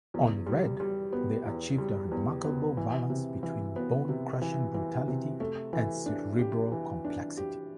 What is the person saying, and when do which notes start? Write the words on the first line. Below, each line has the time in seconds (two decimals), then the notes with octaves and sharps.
On "Red", they achieved a remarkable balance between bone-crushing brutality and cerebral complexity.
0.14 E2
0.46 G3
0.80 G3
1.13 B3
1.46 E2
1.78 G3
2.11 E2
2.44 B3
2.77 E3
3.10 C3
3.43 E3
3.76 B3
4.09 C3
4.42 E3
4.74 E3
5.08 C3
5.40 A3
5.73 E3
6.06 D4
6.39 G4
6.72 E3
7.05 D4
7.37 G4